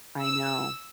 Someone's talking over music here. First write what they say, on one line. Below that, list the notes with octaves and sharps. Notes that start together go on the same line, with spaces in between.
I know.
E6